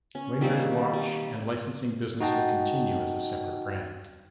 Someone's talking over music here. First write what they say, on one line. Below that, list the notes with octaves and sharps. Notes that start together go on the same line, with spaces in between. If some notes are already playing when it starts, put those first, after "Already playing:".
Wenger's watch and licensing business will continue as a separate brand.
C#4
D#3 G3 A#3 C4
G3
D#4 F#4 D#5 F#5 G5 A5